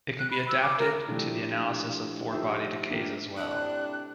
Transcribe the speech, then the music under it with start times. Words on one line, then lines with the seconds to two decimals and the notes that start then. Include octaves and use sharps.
It can be adapted to the analysis of four-body decays as well.
0.19 F#6
0.31 B5
0.48 E6
0.62 D6
0.79 A#4
1.07 F3 G3 A3 D4 E4
2.32 D4 D#4 F4 G4 C5 E5
2.91 A#3 D4 F4 G4
3.37 A2 C3 D4 F#6